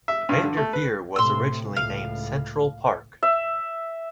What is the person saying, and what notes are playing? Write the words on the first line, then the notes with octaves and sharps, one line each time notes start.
Vander Veer was originally named Central Park.
E5
G2
D3
A3
B4
A2 C3 C6 E6
C#2 A2 F5
E5